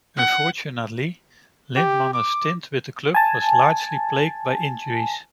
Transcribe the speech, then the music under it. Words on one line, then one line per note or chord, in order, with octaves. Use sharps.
Unfortunately, Litmanen's stint with the club was largely plagued by injuries.
F#5
G4
D6
G#5 A5